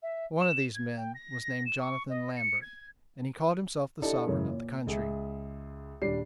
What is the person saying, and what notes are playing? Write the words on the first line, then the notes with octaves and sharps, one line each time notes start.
One of these men was named Jonathan Lambert, and he called himself the sovereign of the country.
E5
E7
G#6
G5
A#6
E7
C#6
D#5
C#7
G#6
D4 E4 G4 A4 D5 D#5
F#2 C#3 E3 A#4
A#2
C#2 G#4 E5
D#1 G3 D4 D5 C7